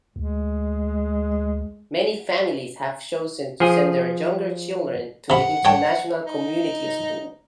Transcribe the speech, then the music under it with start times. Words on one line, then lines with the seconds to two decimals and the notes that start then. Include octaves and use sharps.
Many families have chosen to send their younger children to the International Community School.
0.16 D2 G#3
3.60 F3 G#4
5.30 C3 F#5 B5
5.65 C#5 G5 A5
6.25 D#4